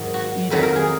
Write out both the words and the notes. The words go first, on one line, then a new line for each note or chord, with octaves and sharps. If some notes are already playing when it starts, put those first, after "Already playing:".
You know?
Already playing: G#2 D#3 F#3
F#4
F2 D#3 F#3 B4
A#4
G#4